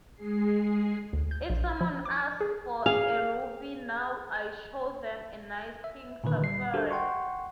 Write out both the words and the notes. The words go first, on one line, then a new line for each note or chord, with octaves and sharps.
If someone asks for a ruby now I show them a nice pink sapphire.
G#3 G#4 C7
D2
G6
A#1
F3
D6
G#4
G#4 F5
E5
A#2 D3 D#3 B4
G3 C7
D4 F#4 G4 A4 A#4 C5
F#5 G5 C6 C#6